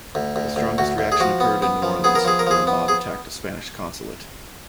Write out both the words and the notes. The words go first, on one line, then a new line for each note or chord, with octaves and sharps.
The strongest reaction occurred in New Orleans, where a mob attacked the Spanish consulate.
D2
D2
D2
D2 F#4
D2
G#4
F3 F#4
B3
B3
F3
B3 G#4
A#4
F3 G#4
A#4
F3 G#4
B3
G#4